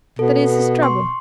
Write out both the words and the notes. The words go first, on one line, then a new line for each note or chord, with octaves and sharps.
'That is his trouble.
B2 A4
C6 C#6